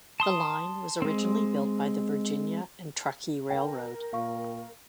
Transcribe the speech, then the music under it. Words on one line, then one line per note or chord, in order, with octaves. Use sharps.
The line was originally built by the Virginia and Truckee Railroad.
A5 C6 D#6
G#3 C4
A#4 G5
A#2 F5 C#6